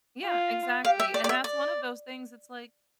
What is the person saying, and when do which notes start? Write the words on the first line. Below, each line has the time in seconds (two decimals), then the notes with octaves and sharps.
Yeah. Exactly. And that's one of those things, it's like,
0.25 F4
0.85 G4 F5
1.00 E5
1.14 D5
1.24 D5
1.29 E5
1.44 D5